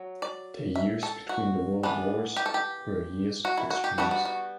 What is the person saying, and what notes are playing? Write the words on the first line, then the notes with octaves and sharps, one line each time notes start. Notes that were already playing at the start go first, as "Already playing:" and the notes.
The years between the World Wars were years of extremes.
Already playing: F#3
D5
E5
A4
F#4
E3 B3 D4
G4
A4
G4
F#4
E4
F#4
G4
G3 B3 D4 F#4
F#4
F#4